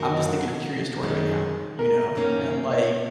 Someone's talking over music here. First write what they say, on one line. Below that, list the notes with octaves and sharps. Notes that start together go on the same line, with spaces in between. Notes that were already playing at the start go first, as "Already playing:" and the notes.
I'm just thinking of Curious George right now, you know, and, like,
Already playing: F#2 D#3 A#3 F#4 A#4
D#5
F#5
F#2 D#3 G#3 C#4
A#4
A#4
F#2 D#3 A#3 C#4
C#5